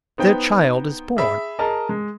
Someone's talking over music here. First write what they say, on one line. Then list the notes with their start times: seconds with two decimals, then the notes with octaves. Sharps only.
Their child is born.
0.18 B3 D#4 C5 G5
1.17 G#4 E5 B5
1.59 G#4 A#4 D#5 A5
1.89 G#3